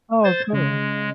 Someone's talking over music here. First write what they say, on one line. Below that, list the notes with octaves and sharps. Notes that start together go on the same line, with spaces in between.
Oh, cool.
C5 G#6 A6
C#3 G#3